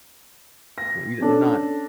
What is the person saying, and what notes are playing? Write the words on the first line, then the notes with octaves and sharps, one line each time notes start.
you you're not
A#6
C#4 D4 A4